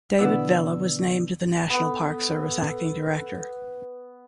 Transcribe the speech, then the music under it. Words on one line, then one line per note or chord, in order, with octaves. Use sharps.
David Vela was named the National Park Service acting director.
B2 D3 E3 B3 D5 E6
B3 A4